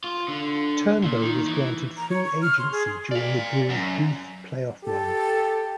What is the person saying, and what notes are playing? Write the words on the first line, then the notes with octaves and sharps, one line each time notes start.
Turnbow was granted free agency during the Brewers' brief playoff run.
F4
D3
A#2
D#3
E3
A#5
C#5
C#6
F6
C6
G#4
D5 F5
F#2
G4 A4